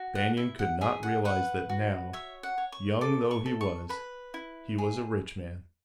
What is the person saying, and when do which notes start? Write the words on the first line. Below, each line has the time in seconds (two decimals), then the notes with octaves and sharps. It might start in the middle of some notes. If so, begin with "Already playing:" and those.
Banion could not realize that now, young though he was, he was a rich man.
Already playing: F#4
0.15 F#5
0.37 E4 E5
0.59 F#5
0.81 G#4 E5
1.03 F#5
1.25 B4 F#5
1.69 F#4
2.13 C#5 E5
2.43 F#5
2.58 C#5
2.72 C#6
3.01 A4 D6
3.31 C#6
3.46 A4
3.61 C#6
3.89 B4 B5
4.34 E4
4.78 G#4